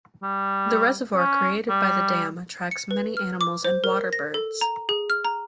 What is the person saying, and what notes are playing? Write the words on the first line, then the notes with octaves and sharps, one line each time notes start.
The reservoir created by the dam attracts many animals and water birds.
G3
C#4
G3
C#7
B4
F6
D6
C5
A#4
A#6
A4
A#5
G#4
F6
A#5